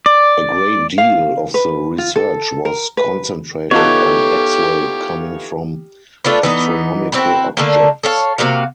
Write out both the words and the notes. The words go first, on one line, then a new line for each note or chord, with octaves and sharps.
A great deal of the research was concentrated on X-ray coming from astronomical objects.
D5
F5
B4
F4
A4
A#4
B4
E3 B3 D#4 F4 G4 A4 C#5
A3 D4 F4 B4
E3 B3 D#4
C4 E4 F#4 B4
D3 A3 A#3
A4 C#5 F5
C3 A#3 F#4 F5